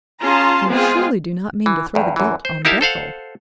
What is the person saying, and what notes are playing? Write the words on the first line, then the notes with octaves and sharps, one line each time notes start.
"You surely do not mean to throw the guilt on Bethel?"
C#4 F4 G#4 A5 A#5 C6
G#3 B3 C4 F4 G#4
E3
E2 G2
F#2 E3
C5
D#4 E4 G4 A#4 F5 A5
A4 C5 F5 F#5